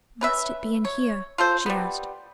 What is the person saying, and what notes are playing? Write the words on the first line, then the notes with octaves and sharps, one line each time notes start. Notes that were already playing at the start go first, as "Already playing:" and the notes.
"Must it be in here?" she asked.
C#4 B4 E5
C#5
F4 A4 C5
G3 B3